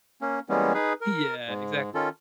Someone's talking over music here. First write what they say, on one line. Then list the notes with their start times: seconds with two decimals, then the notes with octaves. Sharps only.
Yeah, exactly.
0.22 A#3 C#4
0.49 E3 G3 G#3 A#3 B3 C#4
0.74 D#4 G#4 B4
1.01 A#4
1.47 G#2
1.94 D#3 C#4 F4 A4